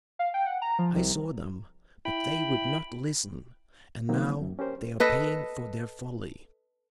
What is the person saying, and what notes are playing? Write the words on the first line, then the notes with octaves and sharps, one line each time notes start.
I saw them, but they would not listen, and now they are paying for their folly.
F5
G5
F#5
A#5
F3
C2
E4 G5 B5
D#3 F#3 A#3 C4 D#4
F#2
C#4 G4 A#4 C5
A4 B4 D#5